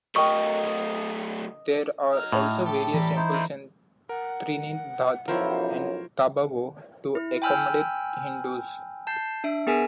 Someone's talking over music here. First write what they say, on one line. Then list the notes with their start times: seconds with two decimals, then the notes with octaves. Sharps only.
There are also various temples in Trinidad and Tobago to accommodate Hindus.
0.16 F#3 A3 A#4 D#5 G5 C#6
2.13 F#3 D#4 F6
2.32 A2
2.65 G4 A4
2.94 E3 G3 A#5 B5
3.16 D#4 E4 C5
3.32 A3 A#3 D4
4.09 A#4 F#5
5.28 B1 F#2 F3 E4 A#4 C5 C#5
7.15 E4
7.42 G5 G#5 B5 E6 F6 G6
9.07 A5 G6 C7
9.44 D4 E5 D7
9.67 B3 G#4 A#4 G#5 B6 D7